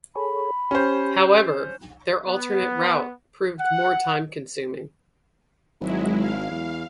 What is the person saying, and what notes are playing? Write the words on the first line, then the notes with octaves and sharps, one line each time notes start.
However, their alternate route proved more time-consuming.
G#4 A4 C#5 B5
C#4 G4 C5
B3
F#5
G#1 F#3 G#3 E4
F5
E2